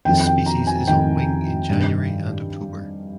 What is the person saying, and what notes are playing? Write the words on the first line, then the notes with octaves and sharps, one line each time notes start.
This species is on wing in January and October.
F2 D#3 G5
G5
A#5
G#5
F2 D#3 G5
G2 D#3